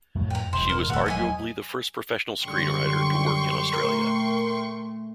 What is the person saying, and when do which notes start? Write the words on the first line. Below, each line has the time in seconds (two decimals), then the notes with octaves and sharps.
She was arguably the first professional screenwriter to work in Australia.
0.15 F2 A2 A3
0.30 G5 A#5
0.53 E1 G2 C5
0.69 A#4
0.90 D1 A3 F#4 A4
1.06 D#1 F3 F#3 D#5 E5 G#5
2.43 F#2 D3 G3 G5 C6 C#6
3.73 A#2 A3 A#4